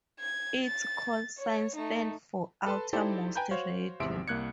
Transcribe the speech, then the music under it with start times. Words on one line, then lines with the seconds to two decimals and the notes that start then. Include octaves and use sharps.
Its call-sign stands for "OuterMost Radio".
0.20 G#6
0.65 A6
1.38 C#5
1.76 A3 D#4
2.66 A4 B4 A5 C6
2.93 D#4 E4 G4 A4 C5 D5
3.35 B4 G5 G#5 A#5 B5 G6
3.51 F#4 C5 C#5 F5
4.00 G#1 E2 C3 E5 C6 D7
4.28 C2 A#3 F#6 G#6 C#7